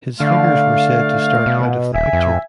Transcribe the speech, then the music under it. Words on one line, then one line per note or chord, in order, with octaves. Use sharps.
His figures were said to start out of the picture.
D3 A3 D5 F5
B2
D#1 E5 G#5
F2